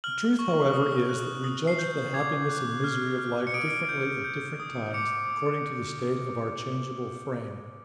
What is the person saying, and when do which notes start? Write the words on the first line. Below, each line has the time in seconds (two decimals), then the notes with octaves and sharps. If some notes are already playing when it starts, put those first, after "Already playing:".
The truth, however, is, that we judge of the happiness and misery of life differently at different times, according to the state of our changeable frame.
0.04 F6 F#7
0.39 C#6
0.74 D#6
1.09 F#6
1.44 D#6 F#7
1.67 C7
1.79 G6
2.14 D6 G#6
2.49 F#6
2.84 F6
3.19 F6
3.47 C#7
3.54 D#6 D7
3.89 G6
4.24 G6
4.60 D#6
4.94 D6 C#7